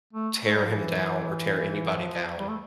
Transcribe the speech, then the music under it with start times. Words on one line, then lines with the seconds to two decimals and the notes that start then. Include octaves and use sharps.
tear him down or tear anybody down
0.13 A3
0.45 A3
0.55 G3
0.65 F3
0.74 E3
1.98 F3
2.39 G3
2.48 A3